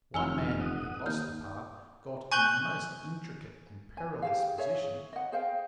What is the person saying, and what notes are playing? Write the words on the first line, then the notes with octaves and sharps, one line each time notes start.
One man, who lost the path, got in a most intricate and perilous position.
F1 F2 E3 G#5 E6 F6 G7
F#5 D#6
D#2 F6 G6
G#5 C#6 F#6 G6 F#7 G7
G#5
G4 G#4 F5
G#4 C#5 E5
D#5 F#5
G#4 C5 F5 G5